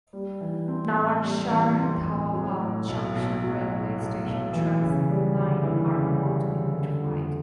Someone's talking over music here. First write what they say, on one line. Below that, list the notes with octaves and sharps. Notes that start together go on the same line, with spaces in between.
Nawanshahr Doaba Junction railway station tracks and line are not electrified.
G3
E3
C4
A2
G3
E3
C4
A2
F#3
A2
B1
B1
F#3
A2
B1
B1
E3
C#3
G3
D2
E3
C#3
G3
D2
D3
F2